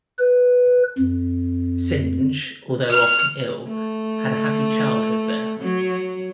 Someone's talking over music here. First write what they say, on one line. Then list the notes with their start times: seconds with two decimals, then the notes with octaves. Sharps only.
Synge, although often ill, had a happy childhood there.
0.18 B4
0.99 F2
2.89 F6
3.68 A3
5.60 F#3